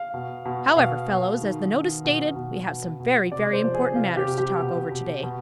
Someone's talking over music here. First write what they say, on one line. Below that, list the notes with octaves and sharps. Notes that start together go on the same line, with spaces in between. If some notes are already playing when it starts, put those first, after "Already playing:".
However, fellows, as the notice stated, we have some very, very important matters to talk over to-day.
Already playing: F5
B2
B2
B2 F5
B2
D#3
D#3
B2
B2
B2
B2
C3 D5
C5
F3
G#4
C3 F4
G4
C3
G4
B2
B2
B2